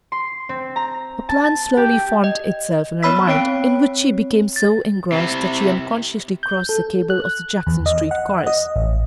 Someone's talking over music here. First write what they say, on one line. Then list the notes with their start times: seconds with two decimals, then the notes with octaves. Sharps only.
A plan slowly formed itself in her mind, in which she became so engrossed that she unconsciously crossed the cable of the Jackson Street cars.
0.12 C6
0.49 C4
0.76 A#5
1.29 A5
1.77 G4
2.24 D#5
3.03 B3 C#5 B5 E6 B6
3.27 C4 C#5 G5 D7
4.56 A6
5.12 C3 E4
6.43 G6
6.69 A4
7.10 F#6
7.67 E2
7.86 D#5
8.11 F#5
8.47 D#5
8.76 A1